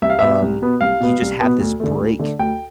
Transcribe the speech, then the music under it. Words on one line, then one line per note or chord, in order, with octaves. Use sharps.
um, you just have this break
C2 E5
F5
B2 B3 E5
C2
B2 B3
C2 F5
B2 B3
C2
B2 B3
D2
D3 A3
D2
D3 A3
D2 G5